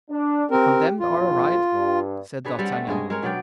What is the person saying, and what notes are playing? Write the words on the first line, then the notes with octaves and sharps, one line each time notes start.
"The condemned are arrived," said D'Artagnan.
D4
C4 G4 A#4
A#1 F2 F4
G2
D4 G#4 B4 C#5
G3 C4 C#4 F#5
A3
G2 G#3 G#4 D#5
G#3 A#4 C#5
B2 F#3 D5 G5